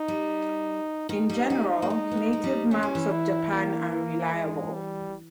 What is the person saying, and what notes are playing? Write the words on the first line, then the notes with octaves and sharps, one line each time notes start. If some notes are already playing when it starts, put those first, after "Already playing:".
In general, native maps of Japan are reliable.
Already playing: D#4
G3
D#3 D#4
G3
G3
A#3
G#3
B3
A#3
G#3
G3
E3 C#4
G3
E3
E4
A#3
G#3
G3